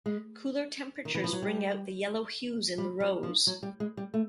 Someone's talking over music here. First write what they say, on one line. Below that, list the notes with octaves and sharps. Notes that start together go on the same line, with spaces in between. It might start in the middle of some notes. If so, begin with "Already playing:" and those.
Cooler temperatures bring out the yellow hues in the rose.
G#3
D#3
E3
F3
F#3
G3
G3
F#3
F3
F#3
G3
G#3
G3
A3